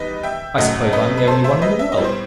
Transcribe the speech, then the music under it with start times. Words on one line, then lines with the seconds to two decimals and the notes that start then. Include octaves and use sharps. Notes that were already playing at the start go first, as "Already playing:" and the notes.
I suppose I am the only one in the world.
Already playing: E2 D#3 G3 B3 B4 D#5
0.23 E5 G5
0.58 F#2 F#3 A3 D#5 F#5
0.93 B4 D#5
1.17 B4
1.27 A4 C5
1.44 C5 E5
1.62 B4 D#5
1.79 E5
1.92 D#5
1.97 A2 G3 B3
2.04 C5